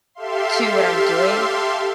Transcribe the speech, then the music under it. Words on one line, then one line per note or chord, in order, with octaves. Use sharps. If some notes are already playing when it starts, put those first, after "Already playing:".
to what I'm doing,
G4 A4 E5 F5 C6